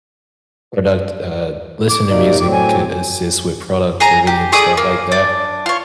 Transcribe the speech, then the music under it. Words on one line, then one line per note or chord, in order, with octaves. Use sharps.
product uh, listen to music could assist with productivity and stuff like that,
D6
C3 A#3 D#4 D5
A2 F#3 C4 D6
G#5
G#4 G#5 A#5
G4
A3 G#4 D5 D#6
A#3
D4
F4 C#5